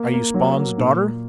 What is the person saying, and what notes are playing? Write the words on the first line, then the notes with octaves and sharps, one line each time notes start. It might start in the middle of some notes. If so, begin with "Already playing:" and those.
"Are you Spawn's daughter?"
Already playing: A#3
A#3
F#3
A#3
A#2